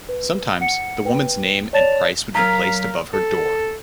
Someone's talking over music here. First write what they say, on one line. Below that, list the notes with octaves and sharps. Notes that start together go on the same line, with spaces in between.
Sometimes the woman's name and price would be placed above her door.
B4
F#5 C#7
B4 G5
C#5 D5 A5 A6 E7 F7
F#3 A#4 F5 A#5 B6
A4